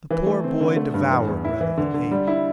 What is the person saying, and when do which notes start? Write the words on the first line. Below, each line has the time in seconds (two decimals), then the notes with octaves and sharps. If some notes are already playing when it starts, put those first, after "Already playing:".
The poor boy devoured rather than ate.
0.11 E3
0.26 A3
0.44 C4
0.61 D3
0.76 A3
0.94 G2
1.10 E3
1.27 E2
1.45 E4
1.61 E3
1.78 D3
1.94 D3
2.11 G3
2.27 E4